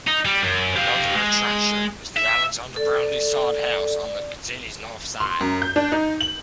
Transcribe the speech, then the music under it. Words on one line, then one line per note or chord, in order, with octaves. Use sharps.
Another attraction is the Alexander Brownlie Sod House, on the city's north side.
D#4
G3
F#2
G4 F5
G#3
E5
A4 D5
C6
F#2
G6
D4
D#4
F#7